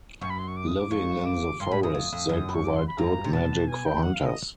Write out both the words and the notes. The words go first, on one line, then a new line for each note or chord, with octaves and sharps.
Living in the forest, they provide good magic for hunters.
F#2 C#6
B5
C6
C#6
D6
D#6
D6
F2 C#6
D6
G2 C6
G#2 B5
F#2 D#6
F2
F2
F#2
C#6
D6
C6
B5
G2 A#5
C3
B2 A5
G#5
G5
F#5
F5
D#5